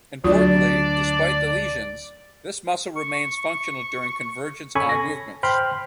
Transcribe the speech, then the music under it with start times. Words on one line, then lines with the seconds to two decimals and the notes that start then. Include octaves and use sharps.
Importantly, despite the lesions, this muscle remains functional during convergence eye movements.
0.24 D2 F#3 D4 F4 F#4 D5
2.95 C#6
4.75 C#4 A4 G#5 B5 C#6
4.89 A#6
5.43 C5 G5 B5 C6 F6